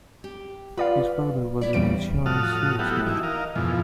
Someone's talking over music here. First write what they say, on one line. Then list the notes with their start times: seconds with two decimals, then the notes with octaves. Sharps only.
His father was an insurance salesman.
0.24 G4
0.77 F4 B4 D5 F5
1.61 B3 E4 D5
1.73 E2 C#3 E3 G3 D7
2.26 A2 F3 F#4 A5 D#6 F6
2.79 F#3 B3 E4 F#4 G4 A4
3.06 E3 D#4 E4
3.23 A#4 D#5 F5
3.56 F2 G#2 B2 E3 F3